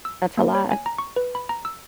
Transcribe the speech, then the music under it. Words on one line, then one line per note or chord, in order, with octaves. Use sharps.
That's a lot.
E6
A#3
C#5
G#5
A#5
C#6
B4
B5
A#5
E6